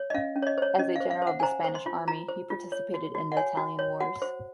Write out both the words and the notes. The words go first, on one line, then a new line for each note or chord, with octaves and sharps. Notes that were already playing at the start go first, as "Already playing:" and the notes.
As a general of the Spanish army, he participated in the Italian Wars.
Already playing: C#5
D#5
C#4 F5
C#4
C#5
D#5
C5 C#5
C#4 D#5
C5 F5
F5
C5
F#5
G#5
C5 A#5
C5
C6
F4
F4 A#5
C5
F4
C#5
F#4
F#4
F#5
C#5 G#5
F#4
C#5
F#4 F#5
C5